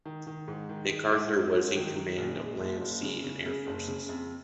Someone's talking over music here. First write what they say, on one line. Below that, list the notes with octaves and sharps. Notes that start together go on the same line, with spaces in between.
MacArthur was in command of land, sea and air forces.
D#3
D#3
G#2
D#3
G#3
G#2
G#3
G#2
D#3
D#3
A#1
G#3
F#1
F#1
C#3
C#3
C#3
F#1
C#3
F2